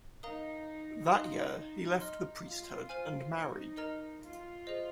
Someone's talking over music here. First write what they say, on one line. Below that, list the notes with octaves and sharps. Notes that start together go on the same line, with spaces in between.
That year, he left the priesthood and married.
D#4 A#4 F5 A#5 D#6
D#4 F5 C6 D#6
D#4
D#5 C6 F6
F4
C5 G#5 F6
D#4
A#4 D#5 A#5 F6
F4
G#4 C5 D#5